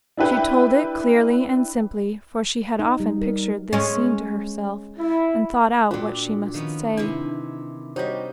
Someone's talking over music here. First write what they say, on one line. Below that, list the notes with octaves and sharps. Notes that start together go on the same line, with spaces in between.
She told it clearly and simply, for she had often pictured this scene to herself and thought out what she must say.
D4 E4 G4 B4 G5
D#4
G3
A#4
G#3 C#4
E4
A#2 D4 F4 F#4 G5 C6 F#6
D#3 F3 B3 C#4
C3 D#3 E3 D4 E4 G#5
G3 D#4 F#4 G4 C5 C#5 D#5